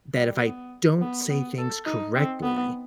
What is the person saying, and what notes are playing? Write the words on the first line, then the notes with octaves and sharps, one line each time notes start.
that if I don't say things correctly,
G3
B3
B3
B3
A4
D#4
C4
B3